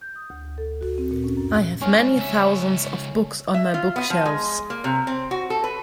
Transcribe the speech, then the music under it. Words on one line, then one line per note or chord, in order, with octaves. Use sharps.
I have many thousands of books on my bookshelves.
G6
D#6
D2
A4
F#4
C4
A#2
C#4
F#2
G#3 C#4 D#4
C#2 E5
E5
F4
B3
F3
G#3
A#3
C3
C4
F#4
A4
B4